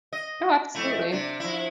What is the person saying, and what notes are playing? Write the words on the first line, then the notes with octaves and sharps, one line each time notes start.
Oh, absolutely.
D#5
F2 A3 E4
C3 D4
F3 E4